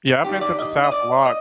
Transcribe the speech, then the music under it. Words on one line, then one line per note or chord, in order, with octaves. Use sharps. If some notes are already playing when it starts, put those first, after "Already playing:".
Yeah, I've been to the South a lot.
G2 D#3 G3 G4
D5
D#5
D#5
D5
D#5